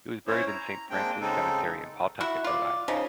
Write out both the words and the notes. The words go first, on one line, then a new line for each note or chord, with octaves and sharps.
He was buried in Saint Francis Cemetery in Pawtucket, Rhode Island.
C#4 E4 C5 C#5
A#5
G#3 A#3 C4 D4 G5
C#3 G#3 C4 D#4 A4
E4 F#4 E5 F#5
F4 D5
C#3 F3 D#4